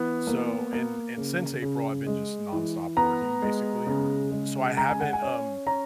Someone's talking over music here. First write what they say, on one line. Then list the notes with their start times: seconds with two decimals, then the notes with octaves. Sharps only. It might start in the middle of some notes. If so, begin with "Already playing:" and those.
so and and since April, I've been just nonstop working, basically, b b so, I haven't um,
Already playing: E3 B3
0.27 A#3
0.73 A#3
1.17 C#3
1.62 C#3
2.07 G#3
2.52 E3
2.97 B3 A#5
3.42 G#3
3.87 C#3
4.31 G#3
4.77 G#3 A#5
4.89 G#5
5.01 F#5
5.13 G#5
5.22 C#4
5.66 C#4 A#5